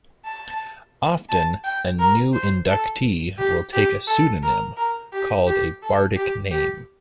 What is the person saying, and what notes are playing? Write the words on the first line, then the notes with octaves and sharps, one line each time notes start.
Often a new inductee will take a pseudonym, called a bardic name.
A5
A5
G5
A#4
C5
A4
G4
G4
A4
A#4
A#4
G4
G4
A4
G4
G4